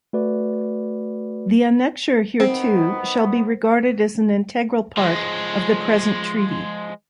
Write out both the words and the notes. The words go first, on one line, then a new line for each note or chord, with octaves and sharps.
The Annexure hereto shall be regarded as an integral part of the present Treaty.
A3 F#4 B4 D5
D#3 B3 C4
F3 G#3